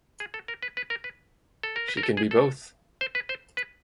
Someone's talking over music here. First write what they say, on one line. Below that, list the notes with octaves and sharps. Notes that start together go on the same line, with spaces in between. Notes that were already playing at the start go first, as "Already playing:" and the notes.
She can be both.
G#4
A4
A#4
B4
B4
A#4
B4
A4
A#4
B4
A#4
A4
G#4
A4
C5
B4
C5
B4